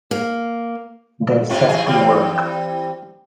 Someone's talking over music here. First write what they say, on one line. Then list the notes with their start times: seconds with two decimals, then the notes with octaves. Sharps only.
They set to work.
0.11 A#3
1.49 G#2 C3 F4
1.69 E3 G#4
1.87 E3 G3 C4